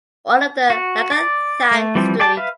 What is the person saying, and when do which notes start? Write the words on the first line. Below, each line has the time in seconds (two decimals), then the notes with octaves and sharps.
All of the Langenthal–St.
0.70 F#4
1.12 D5
1.71 A3
1.95 E3 F3 G3 C4
2.19 G#4 D5 G5 A5
2.37 B4 E5 F5